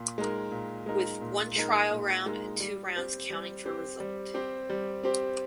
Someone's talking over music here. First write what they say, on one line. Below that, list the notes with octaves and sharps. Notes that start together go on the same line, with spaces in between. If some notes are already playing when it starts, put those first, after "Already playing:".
With one trial round and two rounds counting for result.
Already playing: A#2
G#3 D#4 A#4
A#2
G#3 D#4 A#4
A#2
G#3 D#4 A#4
A#2
G#3 D#4 A#4
G3
C4 G4 C5
G3
C4 G4 C5
G3
C4 G4 C5
G3
C4 G4 C5